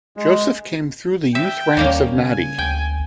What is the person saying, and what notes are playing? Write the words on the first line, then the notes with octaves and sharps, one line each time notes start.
Joseph came through the youth ranks of Nadi.
G#3
E5 G5
D#2 G3 A#3 C#4
C#3 G#5
D2 G5